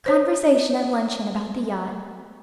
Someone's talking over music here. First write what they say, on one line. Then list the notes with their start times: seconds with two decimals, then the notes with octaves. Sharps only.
Conversation at luncheon about the yacht.
0.06 C5 C#5